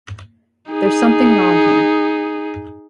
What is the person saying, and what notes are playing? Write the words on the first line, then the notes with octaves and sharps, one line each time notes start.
There's something wrong here.
D#4 G#4